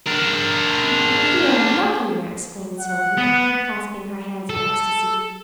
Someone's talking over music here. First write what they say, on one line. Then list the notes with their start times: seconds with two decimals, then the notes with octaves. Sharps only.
"Lovelier and lovelier!" exclaimed Sylvie, clasping her hands in ecstasy.
0.06 D4 A#4
2.80 F#5
3.18 B3
4.50 A4